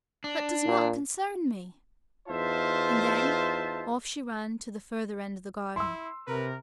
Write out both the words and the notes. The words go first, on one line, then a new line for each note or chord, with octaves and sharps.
"That does not concern me." And then off she ran to the further end of the garden.
D4
A#2
E2 D#4 F4 C5 E5 A5
E4 C6 E6
C3 A#4 B4